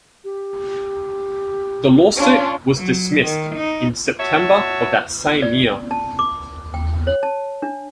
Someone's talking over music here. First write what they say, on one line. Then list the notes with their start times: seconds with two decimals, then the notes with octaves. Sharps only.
The lawsuit was dismissed in September of that same year.
0.24 G4
2.17 C#4 D4 F4
2.78 F#3
3.24 D#3
3.56 D#4
4.20 F#4 C#5 E5 A5
5.42 D5
5.91 A5
6.19 D6
6.74 G5
7.07 C#5
7.23 A5
7.62 D4